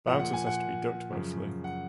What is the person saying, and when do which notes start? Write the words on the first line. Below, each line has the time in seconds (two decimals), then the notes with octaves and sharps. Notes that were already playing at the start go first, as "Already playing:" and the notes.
Bouncers has to be ducked mostly.
0.07 F3 F#5
0.11 A#2
0.20 F#5
0.33 G#5
0.47 F#5
1.12 F#2 C#3 F3
1.64 F#5